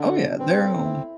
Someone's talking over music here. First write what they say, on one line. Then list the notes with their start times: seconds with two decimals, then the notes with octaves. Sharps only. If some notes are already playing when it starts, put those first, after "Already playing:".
Oh, yeah, they're, um,
Already playing: D3 D4
0.17 B2
0.39 B3 C4
0.62 A4
0.85 E4